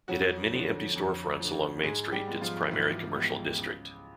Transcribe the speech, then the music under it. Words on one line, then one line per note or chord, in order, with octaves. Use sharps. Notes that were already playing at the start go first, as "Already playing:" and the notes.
It had many empty storefronts along Main Street, its primary commercial district.
F2 F#3 F#4
D3 F3
F2
D3 F3
G#2 G#3 G#4
G3 G4
F3 G#3 B3
F3 F4
G#2 E3 E4
F3 G#3 B3
C#2